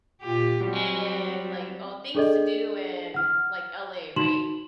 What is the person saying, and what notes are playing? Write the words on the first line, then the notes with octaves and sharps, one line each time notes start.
and like, "Oh, things to do in, like, LA," right?
A#2 F4 G4
F#3 G3 C4
D4 G#4 A4 D5 D#5
F#5 F6
D#4 F#4 C6 E7 F#7